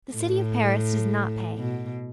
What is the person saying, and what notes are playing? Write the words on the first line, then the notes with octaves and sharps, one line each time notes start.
The city of Paris does not pay.
A2
B2